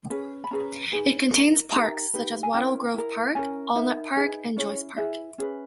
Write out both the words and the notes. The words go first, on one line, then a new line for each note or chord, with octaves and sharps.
It contains parks such as Wattle Grove Park, Allnutt Park and Joyce Park.
C#4 G#4 B4
B5
C#4 G#4 B4 A#5
D#4 G#4 B4
D#4 A#4
D#4 G4 A#4 A#5
D#4 G4 B4
G#5
C#4 E4 A#4 G5
E4 A#4
C#4 E4 A#4 G#5
D#4 A#4 E5
D#4 G#4 B4
C#4 E4 G#4 C#5
E4 G#4 B4 E5
C#4 G#4 B4